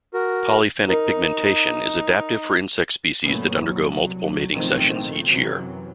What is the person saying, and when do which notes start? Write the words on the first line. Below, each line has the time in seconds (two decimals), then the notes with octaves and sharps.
Polyphenic pigmentation is adaptive for insect species that undergo multiple mating seasons each year.
0.14 F#4 A#4
0.88 D#4 A#4
3.23 F#2 A#2 C#3 A3 B3 C#4
3.66 C2 F#3
4.51 B1 A2 D#3 F3 A3 C4
5.26 F#2 C3 E3 F#3